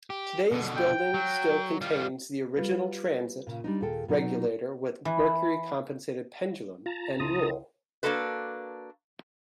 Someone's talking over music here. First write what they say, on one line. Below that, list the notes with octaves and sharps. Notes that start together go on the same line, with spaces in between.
Today's building still contains the original transit, regulator with mercury-compensated pendulum, and rule.
G4
B2 D3
G5
F#3
G3 F4
G3 F4 B4
A#2 C#3
G3 D4 D#4
D#2 A#2 G#4 A4 G5
B2 F#3 D#4
E3
F4 A5 A#5
C#2 E4 C6 D#6
A#3 D4 F#4 A4 B4